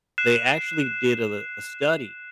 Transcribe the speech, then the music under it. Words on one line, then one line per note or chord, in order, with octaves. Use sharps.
They actually did a l a study
F#6 C7 E7